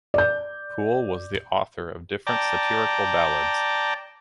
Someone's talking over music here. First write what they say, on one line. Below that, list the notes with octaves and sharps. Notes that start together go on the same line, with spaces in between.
Poole was the author of different satirical ballads.
D5 G6
D5 G5 A5 A#5